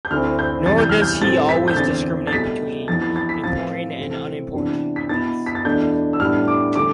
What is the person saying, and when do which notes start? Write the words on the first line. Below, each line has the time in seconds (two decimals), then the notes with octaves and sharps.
Nor does he always discriminate between important and unimportant events.
0.05 G6
0.10 D2 D3 A3 C4 E4 F6
0.39 G6
0.65 E2 C3 E3 G3 A6
0.78 G6
0.89 F6
1.02 G6
1.21 A2 G3 C4 A6
1.49 B6
1.68 G6
1.77 E2 D3 A3 C4 A6
2.27 A6
2.33 C2 B2 A3 B6
2.88 F2 E3 B3 E4 A6
3.02 A6
3.16 A6
3.29 B6
3.43 A2 F3 C4 A6
3.98 C3 E3 A3 C4
4.54 C3 E3 B3 D4
4.96 B6
5.09 B2 B3 E4 A6
5.46 B6
5.55 A6
5.65 E2 B2 A3 D4 G6
6.13 E6
6.20 A2 G3 B3 D4 F6
6.48 D6
6.76 D3 G3 D6